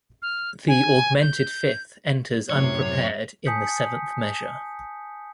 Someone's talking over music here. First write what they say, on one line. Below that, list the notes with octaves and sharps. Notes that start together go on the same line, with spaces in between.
The augmented fifth enters unprepared in the seventh measure.
F6
G#5
G6
F#2 A2 C3 C#5
G#5 A5 D#6 G6 B6 C#7